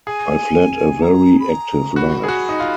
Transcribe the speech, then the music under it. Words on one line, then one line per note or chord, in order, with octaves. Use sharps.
I've led a very active life.
G#4 G#5
A#5
B5
A#5
F#4 B5
G#4
F#4
D#4
F4